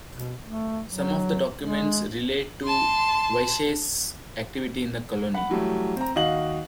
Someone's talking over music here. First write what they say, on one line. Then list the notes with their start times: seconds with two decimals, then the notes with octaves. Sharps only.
Some of the documents relate to Wyche's activity in the colony.
0.15 B2
0.44 A3
0.88 F#3
1.60 G#3
2.64 A5 C6
5.34 F#5 B5
5.49 E3 F#3 G3 A3
5.96 C4 A#5
6.15 D#2 F#4 D#5 F5 F#7